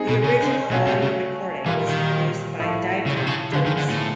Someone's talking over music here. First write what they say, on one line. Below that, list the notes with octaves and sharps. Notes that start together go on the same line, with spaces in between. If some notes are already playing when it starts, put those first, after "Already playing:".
The original audio recording was produced by Dieter Dierks.
Already playing: G#3 C4 D#4 G#4
B2
C#3
D3
C#3
B2 F#3 A3 C#4 F4
C3
C#3
A#2 E3 G3 A#3
D#3
A2 F3 A3
C#3
C3
C#3
D3 F3 G#3 B3
D#3
D3
A2